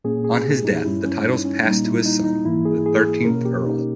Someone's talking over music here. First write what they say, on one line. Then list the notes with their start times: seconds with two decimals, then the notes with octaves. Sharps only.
On his death the titles passed to his son, the thirteenth Earl.
0.04 A#2 A#3 C#4 G#4
0.24 G#4
0.44 G4
0.65 D#4
0.84 G2 G3 C#4 E4
1.05 C#4
1.24 D#4
1.45 C#4
1.65 A#2 G3 A#3 D#4
1.85 E4
2.05 D#4
2.25 D#4
2.45 G#2 E3 A#3 E4
2.65 G#4
2.86 G#4
3.05 G#4
3.25 B2 A#3 C#4 A#4
3.45 G4
3.66 D#4